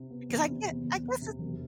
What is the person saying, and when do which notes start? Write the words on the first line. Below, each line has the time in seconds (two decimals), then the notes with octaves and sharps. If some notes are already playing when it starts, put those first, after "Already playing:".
'Cause I get I guess it's
Already playing: C3
0.10 B3
0.30 E2
0.48 C3
0.66 E2
0.84 E2
1.03 E2
1.21 C3
1.39 E1